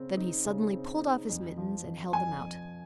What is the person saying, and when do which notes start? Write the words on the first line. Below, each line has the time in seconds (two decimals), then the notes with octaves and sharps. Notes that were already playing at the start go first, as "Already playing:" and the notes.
Then he suddenly pulled off his mittens and held them out.
Already playing: C#3 C4
0.17 D#4
0.45 C#3
0.73 C4
1.01 D#4
1.29 F2
1.57 F3
1.85 F2
2.13 F2 G#5
2.41 F2